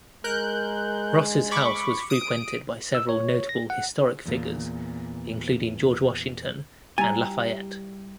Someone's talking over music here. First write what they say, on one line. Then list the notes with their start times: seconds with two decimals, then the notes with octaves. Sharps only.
Ross's house was frequented by several notable historic figures, including George Washington and Lafayette.
0.24 G#3 A#4 F#6 G6
1.51 B5 C#6 D6
2.10 D#6 D7
2.95 E6
3.09 C#5
3.49 A#6
3.70 F#5
4.25 E2 A#2
6.98 G3 E4 G#5 A#5 A6